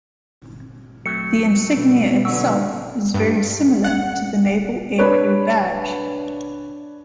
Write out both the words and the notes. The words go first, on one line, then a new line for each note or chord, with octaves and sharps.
The insignia itself is very similar to the Naval Aircrew Badge.
F#3 A3 C4 C#7
B2
D3 F#3 B3 C#4 F#4 E6
G2
F#5
D4 B4 C#5